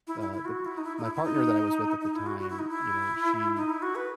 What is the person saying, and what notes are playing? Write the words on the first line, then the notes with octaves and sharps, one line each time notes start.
the the my partner that I was with at the time, you know, she
E4
E4
E4
F#4
E4
D#4
E4
D#4
E4
E4
D#4
D#4
E4
F#4
F#4
E4
D#4
E4
D#4
E4
F#4
B4